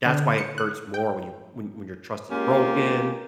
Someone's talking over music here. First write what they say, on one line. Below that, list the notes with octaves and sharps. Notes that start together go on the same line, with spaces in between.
that's why it hurts more when you when when your trust is broken,
D3
C#7
F#6
G5
G#3 A#3 C#4 F4 G4